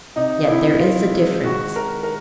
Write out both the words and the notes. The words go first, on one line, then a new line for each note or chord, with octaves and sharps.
Yet there is a difference.
C3 D#4
C3 E4
C4 F4
G#3
D#3 F#4
D#3 A#4
A#4